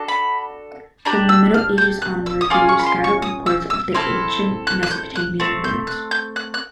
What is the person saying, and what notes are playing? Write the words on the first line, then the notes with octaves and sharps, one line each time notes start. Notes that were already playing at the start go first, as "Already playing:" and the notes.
From the Middle Ages onward, there were scattered reports of ancient Mesopotamian ruins.
Already playing: D4 F#4 A4
B5
D4 G4 A#5
E6
F6
G6
F#6
E6
D#6
C#4 F4 G#4 D6
C#6
B5
C6
C#6
D#6
E6
E6
C4 E4 A4 F6
F#6
F#6
G6
F#6
A3 C4
G6
F#6
G6
F#6
F#6